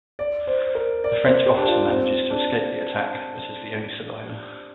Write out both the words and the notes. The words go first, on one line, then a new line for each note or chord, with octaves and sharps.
The French officer manages to escape the attack, but is the only survivor.
D5
C5
A#4
D5
C5
G4
D4
F4
C4
D4